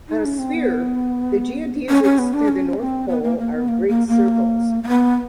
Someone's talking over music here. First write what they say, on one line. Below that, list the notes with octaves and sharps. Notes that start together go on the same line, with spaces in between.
On a sphere, the geodesics through the North pole are great circles.
D#4
C#4
C4
B3
C#4
C#4
B3
D4
C#4
C4
B3
A#3
A#3
B3
A#3
A#3
A#3
A#3
B3